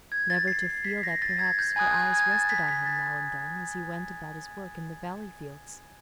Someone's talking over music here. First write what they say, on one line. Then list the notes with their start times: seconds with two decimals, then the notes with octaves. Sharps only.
Never to feel that perhaps her eyes rested on him now and then as he went about his work in the valley fields!
0.12 G#6
0.30 A6
0.48 C7
0.67 C7
0.84 B6
1.03 A#6
1.22 A6
1.39 G#6
1.59 G6
1.76 G#5 B5 D#6 F#6 G#6
1.94 G6
2.13 G#6
2.32 A6
2.50 B6
2.69 B6
2.86 A6